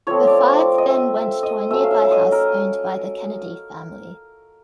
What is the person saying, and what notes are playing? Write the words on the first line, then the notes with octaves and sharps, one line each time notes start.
The five then went to a nearby house owned by the Kennedy family.
F3 A3 C4 C#5
D5
D#5
E5
E5
D#5
F#3 A3 C#4 E5
F5
E5
E5
D#5
A#4